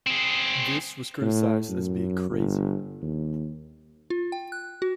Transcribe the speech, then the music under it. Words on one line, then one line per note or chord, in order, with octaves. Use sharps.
This was criticised as being "crazy".
C4 G#4
A2
F#2
G1
D#2
F4
G5
F#6
F#4